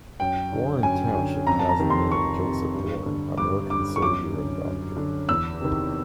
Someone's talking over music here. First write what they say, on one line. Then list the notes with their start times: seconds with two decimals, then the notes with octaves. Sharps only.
Warren Township has the name of Joseph Warren, American soldier and doctor.
0.20 F#2 G5
0.52 D3
0.83 F#2 G#5
1.15 D3
1.47 F2 A#5
1.59 A5
1.69 A#5
1.79 C3 D#3
1.90 C6
2.10 F2 C#6
2.43 C3 D#3
2.74 G2
3.06 D3
3.38 G2 D6
3.70 D3 D6
3.96 C#6
4.02 F#2 D6
4.34 D3
4.65 F#2
4.97 D3
5.29 E2 E6
5.61 C3 D#3